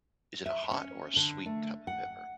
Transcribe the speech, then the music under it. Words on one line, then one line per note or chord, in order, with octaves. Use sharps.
Is it a hot or a sweet type of pepper?
E5
C#4
D3
A3
F#5